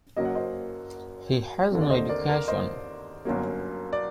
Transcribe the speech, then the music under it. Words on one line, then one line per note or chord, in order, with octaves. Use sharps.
He has no education.
F#1 F#2 F#3 A#3 D#5
F#5
C5 D#5
D#2 D3 A3 C4
D5
C5 D#5
A#4 D5
A#4 D5
C5 D#5
G1 F#2 F#3 A#3
D5